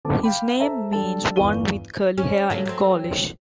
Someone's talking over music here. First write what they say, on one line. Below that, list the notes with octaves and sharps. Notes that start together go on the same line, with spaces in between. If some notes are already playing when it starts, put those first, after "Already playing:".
His name means "one with curly hair" in Gaulish.
D3 C4 A5 D6
F5 G5 B5
A4 C5 E5 A5 A#5
G3 D4 A4 A5
G1 E2 D5 C#6 D#7 G7
C#4
C#3 F#3 A3
F#3 A3 C4